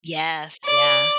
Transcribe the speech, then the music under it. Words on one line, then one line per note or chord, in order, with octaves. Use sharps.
Yes, yeah.
D5